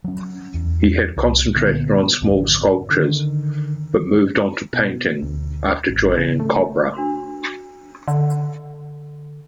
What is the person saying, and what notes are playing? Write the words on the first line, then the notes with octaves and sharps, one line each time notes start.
He had concentrated on small sculptures, but moved into painting after joining CoBrA.
F#3 C#4
E2
C2
A#2 D3 A#3 B3
G#1 F2 D3 C4
D3 D#3
B2
D2
G#1
C#3
A3
D4 F#4 A#4 C6
D3